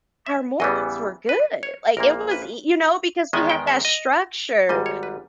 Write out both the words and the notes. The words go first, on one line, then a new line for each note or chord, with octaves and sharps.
our mornings were good." Like, it was y you know, because we had that structure
E5
E2 C#3 E3 G3 B3 D#5
B4
C#5
A#1 A#2 A#3 A#4
B4
E2 D#3 G#3 B3 D#5
G5
E5
D#5
G#1 G#2 G3 D#5
C#5
B4